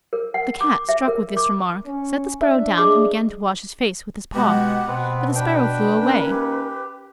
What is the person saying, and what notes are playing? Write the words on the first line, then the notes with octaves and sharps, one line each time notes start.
The Cat, struck with this remark, set the sparrow down, and began to wash his face with his paw, but the sparrow flew away.
A#4
F#5
D6
E5
A#4
D6
C#4
D4 E5
G#4 D#5 D6
B2 G#3 B3 G4 F#5
B2 B3 C4 B4
D4 B4 G5
D#3 A#3 C#4
G4